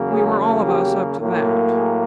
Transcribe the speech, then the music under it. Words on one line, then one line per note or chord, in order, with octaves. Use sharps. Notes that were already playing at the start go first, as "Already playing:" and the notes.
We were all of us up to that.
Already playing: E2 C#3 F#3 A#3
G#4
G4
A2 F#3 A#3
G#4